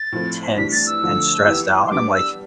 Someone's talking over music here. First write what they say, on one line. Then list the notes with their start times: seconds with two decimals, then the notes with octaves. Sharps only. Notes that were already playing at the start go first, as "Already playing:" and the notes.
tense and stressed out and I'm like,
Already playing: A6
0.12 A2 F3 C4
0.57 A2 E3 G3 D4 B6
0.72 A6
0.87 E6
1.02 D3 F3 A3
1.47 E3 B3 E4 G4
1.87 C6
1.91 G3 B3 D4 D6
2.14 E6